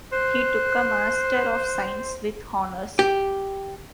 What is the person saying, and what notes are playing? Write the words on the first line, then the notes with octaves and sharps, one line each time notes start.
He took a Master of Science with honors.
C5 F#6
G4